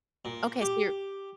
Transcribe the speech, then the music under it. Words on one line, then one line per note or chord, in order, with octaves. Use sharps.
Okay, so your
A#2
G4